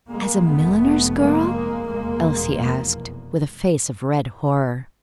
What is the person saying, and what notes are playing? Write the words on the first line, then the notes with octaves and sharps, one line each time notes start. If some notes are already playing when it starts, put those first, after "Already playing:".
'As a milliner's girl?' Elsie asked, with a face of red horror.
G#3 A#3
F1 F2 C3 A3 B3
G#3 A#3
F1 E2 B2 G#3 A#3